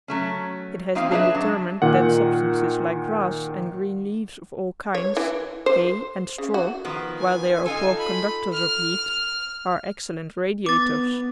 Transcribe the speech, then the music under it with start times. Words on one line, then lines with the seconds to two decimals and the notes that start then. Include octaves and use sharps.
It has been determined that substances like grass and green leaves of all kinds, hay and straw, while they are poor conductors of heat, are excellent radiators.
0.08 F#3 A3 C#4
0.95 A#3 C4 D#4 F4 C5 F5
1.11 D4 G#4 B4 C#5 D#5 E5
1.35 F#3 D4
1.82 A#2 D#3 F#5
4.95 C#5
5.17 E3
5.66 C5
6.38 C#3
6.54 F#4
6.85 D#3 F3 B3
7.18 G#5
7.66 D#4 F4 A4 G#5
7.98 B5
8.53 F6
10.66 B3 D6 A6